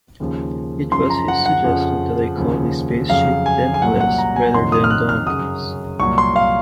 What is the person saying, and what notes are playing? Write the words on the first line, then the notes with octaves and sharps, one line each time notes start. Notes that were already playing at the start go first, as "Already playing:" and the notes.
It was his suggestion that I call the spaceship "Dentless" rather than "Dauntless".
D#2 C#3 F3
F#2 C#3 F3 C6
A#5
F#5
F#5
F2 C#3 F3
D#2 C#3 F3
F2 C#3 F#3 F5
G#5
G#5
C2 A#2 F#3 F#5
F#5
A#5
G#5
F2 C3 D#3 F#3 C6
D#6
F6
F#6
F6
F#2 C#3 F#3 D#6
C2 A#2 F#3 C#6
C6
F5